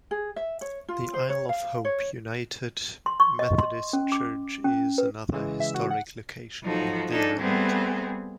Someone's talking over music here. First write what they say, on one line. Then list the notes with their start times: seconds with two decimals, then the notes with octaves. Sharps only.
The Isle of Hope United Methodist Church is another historic location on the island.
0.11 G#4
0.36 E5
0.61 C#5
0.88 F4
1.14 C5
1.30 C#5
1.49 F5
1.85 C#5
3.06 C6
3.20 C#6
3.39 D#5
3.59 C6
3.93 C#4
4.12 D6
4.64 C#4
4.98 B4
5.33 C#3 E3 G#3
5.60 E5
5.75 F#4
5.91 F#5
6.62 F3 F#3 D#4 F#4 A4
7.09 D4 D#4 G#4 A4
7.39 G3 A3 B3 C4 G#4